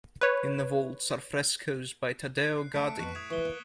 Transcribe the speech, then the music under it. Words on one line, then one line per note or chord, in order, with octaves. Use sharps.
In the vaults are frescoes by Taddeo Gaddi.
B4 C#5
F#6 C7
A3 C#4 A5 B6 C#7 D7
F2 G#2 B3 C#6 F#6
A2 D#6 G#6 E7
E3 F3 A3 B4 C#6 G7
A#3